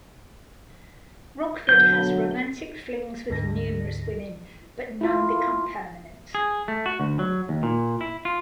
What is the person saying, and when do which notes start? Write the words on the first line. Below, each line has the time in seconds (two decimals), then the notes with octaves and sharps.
Rockford has romantic flings with numerous women, but none become permanent.
1.69 B2 D3 F#3 G6
3.30 D2 G#2 D3 A#6
5.01 E4 F4
6.35 G#4
6.68 A3
6.86 F#4
7.00 D2
7.19 F#3
7.49 D#2
7.63 A#2
8.01 E4
8.25 F4